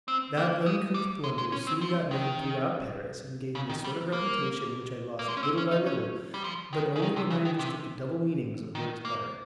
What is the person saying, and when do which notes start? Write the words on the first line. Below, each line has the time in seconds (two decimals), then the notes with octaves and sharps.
That uncouth blunder soon got known throughout Paris, and gave me a sort of reputation which I lost little by little, but only when I understood the double meanings of words better.
0.08 C4
0.37 A#3
0.66 G#3
0.94 G3
1.24 G#3
1.38 G#3
1.52 C#4
1.67 C4
1.81 F3
2.11 D#3
3.55 C#3
3.69 D#3
3.85 G3
4.13 A#3
5.19 A#3
5.28 G#3
5.37 C#4
5.43 C4
5.58 C#4
5.71 D#4
5.86 C#4
6.34 G3
6.44 F3
6.73 D#3
6.96 C#3
7.02 D#3
7.16 C3
7.30 C#3
7.45 D#3
7.59 C3
8.75 D#3
9.05 A#3